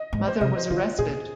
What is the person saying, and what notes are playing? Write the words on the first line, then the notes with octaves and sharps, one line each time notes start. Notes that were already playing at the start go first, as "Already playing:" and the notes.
Mother was arrested.
Already playing: D#5
G#2
C5
C3 D#5
C5
D3 F4
A#2 G#4